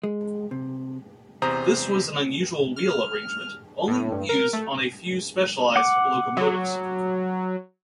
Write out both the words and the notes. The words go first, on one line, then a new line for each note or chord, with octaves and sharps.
This was an unusual wheel arrangement, only used on a few specialised locomotives.
G#3
C3
E2 C3 C5 A#5 D#6
F6
A2
G2
A#4
A3
F#5 D6
F#3